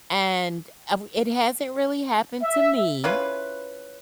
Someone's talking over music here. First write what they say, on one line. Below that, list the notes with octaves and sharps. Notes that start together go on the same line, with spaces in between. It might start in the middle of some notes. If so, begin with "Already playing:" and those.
And av it hasn't really happened to me,
E5
C#4 E4 F4 B4